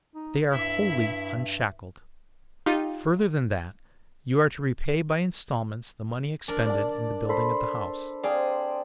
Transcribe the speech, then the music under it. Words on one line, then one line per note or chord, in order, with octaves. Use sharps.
They are wholly unshackled, further than that you are to repay by installments the money expended in the building of the house.
D#4
G2 E4 E5
D#4 F4 G4
D4 A#4
D5 A5
A4 C5 B5
C4 G#4 D5 F5 D#6